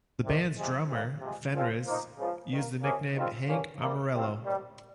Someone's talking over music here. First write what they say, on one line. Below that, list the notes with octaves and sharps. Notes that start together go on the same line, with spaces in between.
The band's drummer, Fenriz, used the nickname "Hank Amarillo".
C2 C3 D#3
C3 F3 G#3
C2 A#2 G3 A#3
C3 F3 G#3
A#2 F3 G#3 C4 F4
F3 A#3 D#4
C#2 C#3 F3
G2 D#3 A#3
C3 F3 A#3 C#4 G#4
G#2 D#3 G3 C4 F4
G2 F3 A#3 C#4
C3 G3 A#3
C#2 C3 F3 C4 F4
D#2 D#3 G3